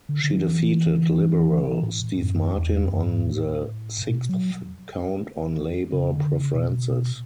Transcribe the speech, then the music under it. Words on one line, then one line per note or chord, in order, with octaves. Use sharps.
She defeated Liberal Steve Martin on the sixth count on Labor preferences.
D3
D3
F#3
E3
E3
A2
A2
F#2
E2
F#2
G#2
A2
A2
B2
F#3
C#3
D3
C#3
B2